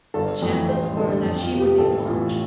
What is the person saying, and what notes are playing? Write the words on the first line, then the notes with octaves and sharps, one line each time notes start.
The chances were that she would be watched.
G1 A4
F2 E3 A3
A1 C5
G2 D3 A3 A4
F2
F4
C3 F3
G4
A1 A4
A2 E3 F4